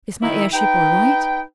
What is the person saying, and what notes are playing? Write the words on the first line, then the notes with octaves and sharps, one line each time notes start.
"Is my airship all right?"
D#3 D#4 E4 E5
D#4 B4 G5